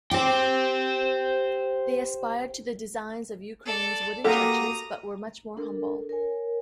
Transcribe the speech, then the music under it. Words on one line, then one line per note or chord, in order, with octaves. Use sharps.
They aspired to the designs of Ukraine's wooden churches, but were much more humble.
G4 C5 G5
A4 D5
A#3 F#4 G4 A4 A#5 D#6
D4 A4 A#4
A#4 C#5 G#5